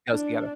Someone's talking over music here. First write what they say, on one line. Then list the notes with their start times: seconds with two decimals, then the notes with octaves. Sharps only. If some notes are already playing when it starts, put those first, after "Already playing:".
goes together.
0.10 D4